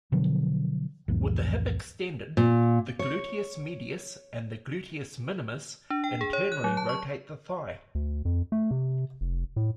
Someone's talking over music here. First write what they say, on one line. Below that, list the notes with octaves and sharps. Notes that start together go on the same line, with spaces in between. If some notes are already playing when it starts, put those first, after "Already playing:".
With the hip extended, the gluteus medius and gluteus minimus internally rotate the thigh.
B2 D3 F3 F#3
C2 F2 A2 E3
A#2
C#5
D4
G5
G#4
C#5
F#6
F#3
A5
C#6
D2
F2
A3
C3
F1
A2